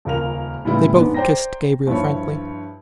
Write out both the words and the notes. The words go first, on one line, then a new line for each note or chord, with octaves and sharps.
They both kissed Gabriel frankly.
D#1 C#2 A#4 F7
A2 C#3 G3 B3 E4 F4
F2 G#2 B3 D4
C5 D5 G5 A#5 A#6
G2 F3 E4 C#5